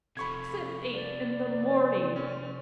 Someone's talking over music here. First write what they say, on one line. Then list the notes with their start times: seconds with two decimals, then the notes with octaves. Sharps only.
Six and eight in the morning!
0.17 C3 F3 A4 B5 C#6 G#6
0.93 D5
2.16 C#4